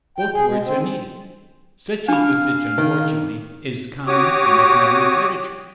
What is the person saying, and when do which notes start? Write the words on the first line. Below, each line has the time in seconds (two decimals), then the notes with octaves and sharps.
Both words are needed. Such a usage unfortunately is common in economic literature.
0.18 G5
0.34 G#4
0.47 G#3
0.65 C4
2.08 D4 F5 B5
2.78 D#3
4.07 F#4 G4 C#5 D6 D#6